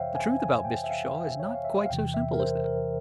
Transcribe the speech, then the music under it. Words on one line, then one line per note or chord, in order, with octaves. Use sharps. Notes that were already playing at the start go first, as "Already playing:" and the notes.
The truth about Mr. Shaw is not quite so simple as that.
Already playing: F2 C3 E3 C5 C#5 E5 F5 G5
G#5
G#5
G5
E5
F5
E5
C#5
F5
E5
F5
E2 C3 E3 G5
E5
A#4
C5
A#4